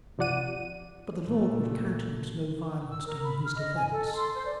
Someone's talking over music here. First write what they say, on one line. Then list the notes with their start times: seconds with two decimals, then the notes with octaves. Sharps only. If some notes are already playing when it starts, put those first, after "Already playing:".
But the Lord would countenance no violence done in his defence.
0.18 G1 C3 F3 D5 F#5 D#7
1.23 A#2 A3
2.89 E6
3.07 A#4
3.23 B5
3.44 F6
3.56 D#5
3.75 G#5
3.92 A4
4.13 C6
4.34 C5
4.46 D5